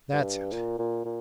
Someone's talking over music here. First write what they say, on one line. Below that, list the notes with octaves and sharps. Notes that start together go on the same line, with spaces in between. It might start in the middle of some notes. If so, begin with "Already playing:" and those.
'That's it!
G2
A#2
A#2
A#2